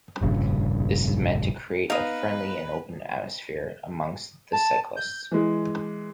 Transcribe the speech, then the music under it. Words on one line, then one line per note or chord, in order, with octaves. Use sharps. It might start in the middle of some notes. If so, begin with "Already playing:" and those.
This is meant to create a friendly and open atmosphere amongst the cyclists.
F1 A#1 G2 C#3
B3 D#4 B4 F5 D#6
A5
G6
E3 G#3